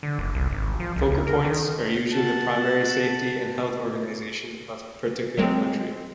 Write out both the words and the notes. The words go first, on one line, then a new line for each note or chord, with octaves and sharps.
Focal points are usually the primary safety and health organisation of a particular country.
D3
F#1
C2
G#1
F3
C2
D2
A#4
D#3
F#5 A5
F#3 G#3 C4